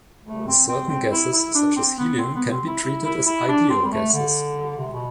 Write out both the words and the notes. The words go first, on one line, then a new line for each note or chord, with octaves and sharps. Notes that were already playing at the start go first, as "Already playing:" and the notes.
Certain gases such as Helium can be treated as ideal gases.
A3
C4
C4
C4
E4
E4
D4
C4
B3
C4
B3
C4
E4
E4
E4
E4
D4
C4
G3
A3
D3
C3
B2